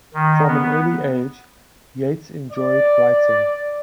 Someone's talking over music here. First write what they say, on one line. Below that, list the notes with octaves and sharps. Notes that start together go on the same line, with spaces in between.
From an early age, Yates enjoyed writing.
D#3
B3
D5